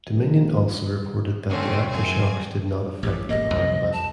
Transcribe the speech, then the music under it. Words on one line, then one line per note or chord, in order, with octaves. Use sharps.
Dominion also reported that the aftershocks did not affect the power plant.
A#1
D3 A3 C4 C#4
F#2 C4 G#5
A1 G4
E1 A1 A#3 D#5
C2 C3 F3
A5